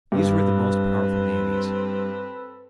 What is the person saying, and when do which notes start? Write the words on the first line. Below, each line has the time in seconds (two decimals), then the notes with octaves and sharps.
These were the most powerful navies.
0.12 G2 C4 A4 B4